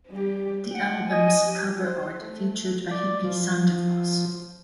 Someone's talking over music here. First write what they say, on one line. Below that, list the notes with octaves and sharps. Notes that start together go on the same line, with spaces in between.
The album's cover art featured a hippie Santa Claus.
G3 G4
F#5 G5
D#5 G#5
G4
C5
A3
D5
F3